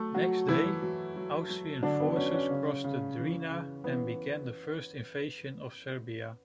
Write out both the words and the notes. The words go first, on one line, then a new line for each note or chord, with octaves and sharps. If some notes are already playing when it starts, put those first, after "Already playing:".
Next day, Austrian forces crossed the Drina and began the first invasion of Serbia.
Already playing: F#3 A3 A4
F#3 F#4
E3 F#3 E4
F#3
F#3
F#3
D3 F#3 D4
B3
F#3 C#4
C#4
C#3
C#3
E3
C#3
E3 B3